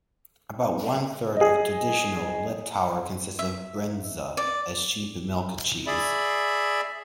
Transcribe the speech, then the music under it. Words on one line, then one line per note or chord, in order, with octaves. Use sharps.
About one third of "traditional" Liptauer consists of bryndza, a sheep milk cheese.
G#4 D#5
E5
D5
G#4 D5 E5 B5